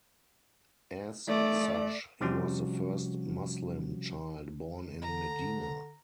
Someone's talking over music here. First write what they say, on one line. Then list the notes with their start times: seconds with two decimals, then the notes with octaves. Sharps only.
As such, he was the first Muslim child born in Medina.
1.28 A3 D5
2.21 C3 F3 G3 C#4 F#4
5.02 D3 A#5